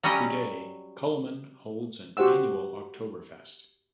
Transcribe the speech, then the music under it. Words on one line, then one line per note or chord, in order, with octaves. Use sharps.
Today, Cullman holds an annual Oktoberfest.
F#3 G3 C#4 G4 D#5
F#4 G4 C5 F#5 E6